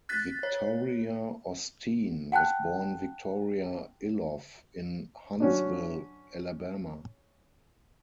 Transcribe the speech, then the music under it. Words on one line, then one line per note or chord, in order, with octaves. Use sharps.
Victoria Osteen was born Victoria Iloff in Huntsville, Alabama.
F#6 A6 B6
C#5
F#5 G5 A5 F#6
F#3 C#4 D4